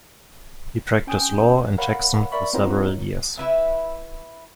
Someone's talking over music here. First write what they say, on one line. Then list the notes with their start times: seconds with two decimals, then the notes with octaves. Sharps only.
He practiced law in Jackson for several years.
1.07 C#4 G5 G#5 D#6 G6
1.78 A#4 C#5 F5 F#5 B5
2.32 A#4 D5 E5 B5 C#6
2.53 B3 C4 D#4 F4 A#4 C#5
3.38 E4 B4 E5